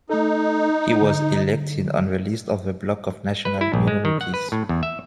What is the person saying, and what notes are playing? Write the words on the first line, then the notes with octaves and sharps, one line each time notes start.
He was elected on the list of the Bloc of National Minorities.
A3 D#4 A4
D3
B4
E4
A#1
G#3
D#3
F#5
B4
A2
E2
E5